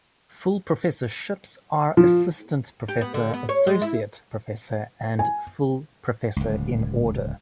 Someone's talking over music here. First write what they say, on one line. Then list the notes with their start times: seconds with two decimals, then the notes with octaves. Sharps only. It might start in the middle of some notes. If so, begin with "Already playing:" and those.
Full professorships are assistant professor, associate professor, and full professor in order.
1.97 F3
2.88 G4
3.01 B3
3.14 D3
3.34 B3
3.49 C#5
3.67 G#3
3.82 E4
5.19 G#5
6.36 D1 C#2